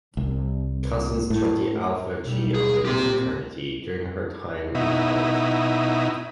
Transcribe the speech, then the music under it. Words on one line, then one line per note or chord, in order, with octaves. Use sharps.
Cousins joined the Alpha Chi Omega fraternity during her time in college.
C2
A2
B1 G3
G#4
A#2 C#3 C4 G4 C6
B2 D#4 E4